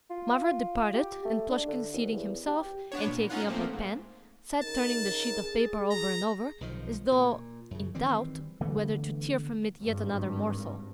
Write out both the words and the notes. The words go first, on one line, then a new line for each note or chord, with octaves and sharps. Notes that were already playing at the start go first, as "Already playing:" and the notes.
Mavra departed, and Plushkin, seating himself, and taking up a pen, sat turning the sheet of paper over and over, as though in doubt whether to tear from it yet another morsel.
F4
G4
A3
D4
D3
D#2
E2
G4
B3 D4 C#5
A#2
C#4 D#4 F4 F#5
F3 A3 A#3 C4
G#2
C#3 D#4 A#4 A5
G#4
A#5
B1 D#3 F3
A#2
F#2 C#3
D#3 E3 G3 C4
D3 E3 A3 B3
G#1 G2